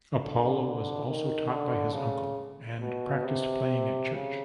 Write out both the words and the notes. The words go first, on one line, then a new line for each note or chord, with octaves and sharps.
Apollo was also taught by his uncle and practiced playing at church.
D3
D#3
D3
C#3
B2
C3
C#3